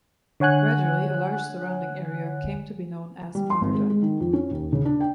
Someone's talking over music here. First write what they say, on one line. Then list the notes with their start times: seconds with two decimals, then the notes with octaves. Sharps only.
Gradually, a large surrounding area came to be known as Mardan.
0.40 D3 C#5 F#5 G#5 F#6
3.35 G3
3.50 C6
3.61 G#1
3.75 G#3
3.90 G#3
4.02 D#3
4.20 F2
4.33 C#4
4.51 D#2
4.73 C#3
4.85 D4
5.00 G5